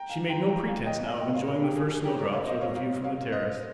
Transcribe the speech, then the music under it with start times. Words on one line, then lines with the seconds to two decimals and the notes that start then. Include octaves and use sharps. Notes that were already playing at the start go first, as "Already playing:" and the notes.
She made no pretence now of enjoying the first snowdrops or the view from the terrace.
Already playing: G5 A#5
0.10 F5 G#5
0.29 G5 A#5
0.48 G5 A#5
0.66 F5 G#5
0.85 D#5 G5
1.04 F5 G#5
1.19 D#5 G5
1.33 C#5 F5
1.47 A#4 C#5
1.62 G4 A#4
1.76 G#4
1.90 G#4
2.04 G4 A#4
2.19 A#4 C#5
2.33 C#5 F5
2.46 C5 D#5
2.61 C#5 F5
2.76 C#5 F5
3.04 C#5 F5
3.32 C5 D#5